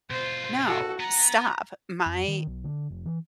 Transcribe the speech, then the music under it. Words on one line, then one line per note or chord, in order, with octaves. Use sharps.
No. Stop. My
B2 F4 C5
F#4 A4
B3 F#5 A#5
F2
D#3
B1
D3
F1
E3